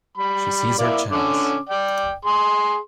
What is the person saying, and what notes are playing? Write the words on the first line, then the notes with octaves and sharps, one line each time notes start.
She sees her chance.
G3 B5
A#3 E4 D5
D3 C#4 D6
D5 G5
G#4 C6